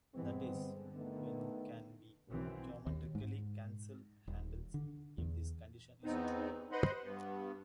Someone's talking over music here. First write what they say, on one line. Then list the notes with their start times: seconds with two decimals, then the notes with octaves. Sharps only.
That is, when can we geometrically cancel handles if this condition is true?
0.15 G2 E3 G#3 B3 C4
0.49 D3
0.94 D#3 A3 B3
2.29 B1 F#2 E3 C4
2.87 D#2
3.15 G#2
4.28 D#1
4.74 D3
5.18 E2
6.04 E2 B3 C4 D#4
6.72 B4 C5 D#5 F#5 B5 C6
7.03 G2 B3